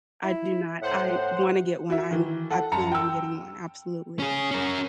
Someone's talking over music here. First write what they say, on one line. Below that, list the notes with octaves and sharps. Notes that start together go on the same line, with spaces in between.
I do not, I wanna get one, I’m I plan on getting one, absolutely.
E4
A2 C5 F#5
F#4 E5
D#3 E3
A4 F#5
F#2 A5 A#5 C#7
G5 E6
C#4 G#4
C#4 A#4